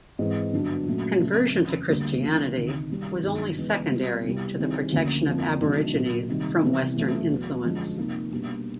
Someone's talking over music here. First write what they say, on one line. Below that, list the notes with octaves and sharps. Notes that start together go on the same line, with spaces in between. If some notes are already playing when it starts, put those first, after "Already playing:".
Conversion to Christianity was only secondary to the protection of Aborigines from Western influence.
G#2 E3 G#3 C4
G2 D3 F#3 B3 D4
A#2 F#3 A3 C#4
C#3 F#3 A3 C4
F2 C#3 E3
D2 D3 G3 A#3
D3 F3 A3 C4
D2 C3 D#3
C3 D#3 G3 C4
G2 D#3 F#3 B3 D4
C#3 E3 G#3 B3
B2 G3 C4
C2 B2 G3
D#3 G3 C4 E4 G#4
D2 D3 F3 A#3 C#4
F2 D3 F3 A#3
C3 D#3 F#3 A3 D4
A#2 F#3 A#3
C3 D#3 G3
C2 C3 E3 G3 B3
E2 B2 F#3 A3
E2 B2 F#3 B3
F#2 D3 F3 G#3
C3 F3 A#3 D#4
B2 G3 A#3 D4 G4